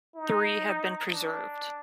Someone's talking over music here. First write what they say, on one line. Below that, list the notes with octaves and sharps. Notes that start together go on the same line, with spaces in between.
Three have been preserved.
D#4
D4